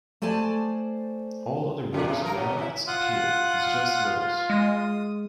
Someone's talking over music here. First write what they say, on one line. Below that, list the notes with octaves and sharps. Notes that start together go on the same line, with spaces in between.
All other verse, without this appeal, is just verse.
A3 C5 D5 G#5 A5
A#2 C#3 F4
B2
F3 A#4
A#2 F#3
E2 D#3 E4
F4 F#5 D#6 F#6
G#3 D#6